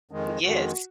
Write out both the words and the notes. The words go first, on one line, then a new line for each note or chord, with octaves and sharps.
Mm, yes,
F2 D#3 G#3
F2 D#3 G#3 F#4